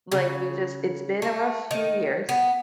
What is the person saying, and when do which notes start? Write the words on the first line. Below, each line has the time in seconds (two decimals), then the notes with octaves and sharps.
like, we just it's been a rough few years,
0.12 C#3
1.22 A3
1.71 D#3
2.29 B3